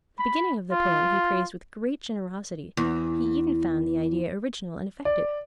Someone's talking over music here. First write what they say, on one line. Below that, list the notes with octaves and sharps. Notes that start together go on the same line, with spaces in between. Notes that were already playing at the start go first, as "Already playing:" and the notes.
The beginning of the poem he praised with great generosity: he even found the idea original and effective.
B5
F4
E2
D5